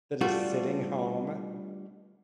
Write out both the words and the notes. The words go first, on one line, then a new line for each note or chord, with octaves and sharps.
that is sitting home
G3 A3 D4 F4 F#4